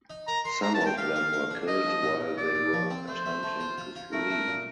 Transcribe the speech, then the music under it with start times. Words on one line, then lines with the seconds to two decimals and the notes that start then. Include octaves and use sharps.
Some of them were killed while they were attempting to flee.
0.10 D#4
0.28 A#4 A#5
0.45 A#4 C6
0.62 A3 A#5
0.75 A5
0.81 A#4
0.86 G5
0.98 G4 F5
1.16 A#4
1.33 A#4
1.51 D4
1.67 D#4 D#5
1.86 F3
2.03 A#2
2.20 A#2
2.37 A#2 D5
2.55 A#2
2.73 F3
2.90 C4
3.08 A3 C5
3.26 A3
3.43 A3
3.60 F4
3.78 F4
3.95 F4
4.12 A3 A#4
4.30 A3
4.48 A#2